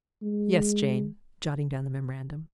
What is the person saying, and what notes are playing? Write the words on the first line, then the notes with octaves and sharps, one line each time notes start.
"Yes, Jane," jotting down the memorandum.
G#3